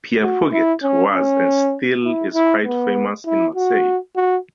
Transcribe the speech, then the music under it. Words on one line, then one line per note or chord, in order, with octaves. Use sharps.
Pierre Puget was and still is quite famous in Marseille.
F#4
E4
C#4
C#4
E4
E4
B3
E4
F#4
F#4